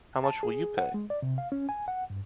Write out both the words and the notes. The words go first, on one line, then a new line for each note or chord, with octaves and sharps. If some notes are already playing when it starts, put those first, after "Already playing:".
How much will you pay?
A5
G#4
F#5
G#3
D5
C3
F5
C#4
G#5
F#5
G2